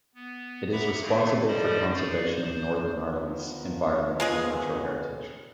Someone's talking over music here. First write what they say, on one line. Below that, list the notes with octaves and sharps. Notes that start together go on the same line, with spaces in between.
It is responsible for conservation of Northern Ireland's environment and natural heritage.
B3
E5 F#5 A#5 B5 D6
A#2 D#3 A3 A#3
F3 G3 C5 D5 D#5
D#4 G#4 D5
C5
D#3 F3 B3
G#3 F4 G#4